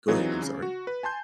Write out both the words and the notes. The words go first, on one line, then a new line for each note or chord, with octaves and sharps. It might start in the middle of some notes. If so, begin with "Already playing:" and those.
Go ahead, I'm sorry.
E3 F#3 C4 D#4 F4 G#4
C#3
F#4
B4
G#5 A5 C6 G6